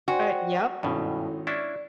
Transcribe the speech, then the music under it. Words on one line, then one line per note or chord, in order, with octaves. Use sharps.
Uh, yep.
F#4 C5 D5 G5 G#5 C6
G#1 G2 B2 C#4 D#4 E4 A4
C#4 D4 E4 D5 C#6